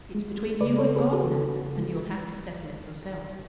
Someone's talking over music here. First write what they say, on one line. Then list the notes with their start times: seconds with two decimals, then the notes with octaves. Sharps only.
It's between you and God now, and you'll have to settle it yourself.
0.15 G#3
0.38 G#3
0.61 C#3 B4 D5
0.78 A4 C#5
0.85 C#3
0.96 G#4 B4
1.08 C#3
1.13 F#4 A4
1.30 C#3
1.54 C#3
1.77 G#3